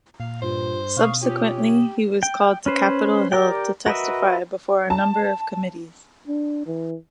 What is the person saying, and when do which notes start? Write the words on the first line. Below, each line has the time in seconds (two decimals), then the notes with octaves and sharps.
Subsequently, he was called to Capitol Hill to testify before a number of committees.
0.20 A#2 F5
0.42 G2 F4 C5
0.97 B2 F5 C#6 D#6
1.21 C#4 F4 G4
2.23 G5
2.66 C#4 B4 C5
3.32 G4 A#4 D5 G5
3.86 F#4 A#4 B4 D#5 E5
4.90 A5
6.28 D4
6.66 E3